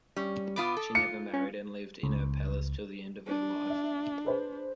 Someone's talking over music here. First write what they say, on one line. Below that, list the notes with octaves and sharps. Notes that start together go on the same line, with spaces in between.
She never married and lived in her palace till the end of her life.
G3 C#4
B2 B3 F4 D6 D#6
A4
F4 C#7
C#4
C#2
D4
E5
G#4 B4 C5